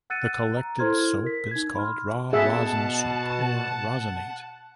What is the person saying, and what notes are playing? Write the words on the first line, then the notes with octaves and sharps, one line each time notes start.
The collected soap is called "raw rosin soap" or "rosinate".
F#5 E6 F#6 A6 C#7 D#7
A#5
E4 A4 C5 C6 F6 G#6
A#4 B6
D#4 G#6
B5 C6 F6
B2 G#4 E5 F#5 A5